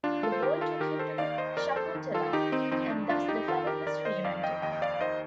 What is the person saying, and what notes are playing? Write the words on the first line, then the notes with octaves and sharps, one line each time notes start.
The boy took him to Shakuntala, and thus the family was reunited.
D#2 D4 F4
F4 A4
C5
D#3 G4 A#4
F4 A4
D#3 G4 A#4
A4 C5
D#2 D5 F5
C5 D#5
F2 A#4 D5
A4 C5
D#3
F4 A4
D#3 D#4 G4
C4 D#4
F2 C4 D#4
D4
F2 D4 F4
D#4 G4
D#3 F4 A4
G4 A#4
D#3 A#4 D5
C5 D#5
F2 D5 F5
D#5 G5
D#2 D#5 G5
D#5
D5 F5
D#3 C5 D#5